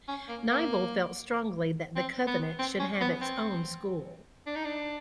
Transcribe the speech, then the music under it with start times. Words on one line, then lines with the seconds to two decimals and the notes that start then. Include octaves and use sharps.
Nyvall felt strongly that the Covenant should have its own school.
0.08 C#4
0.29 A#3
0.50 A#3
1.96 C4
2.27 B3
2.59 C4
2.80 C#4
3.01 B3
3.21 C4
4.47 D4
4.56 D#4
4.65 D4